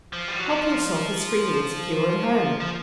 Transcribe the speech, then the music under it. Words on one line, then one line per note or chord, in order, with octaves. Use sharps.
Help yourself as freely as if you were at home!
F3
G3
F#3
F3
F3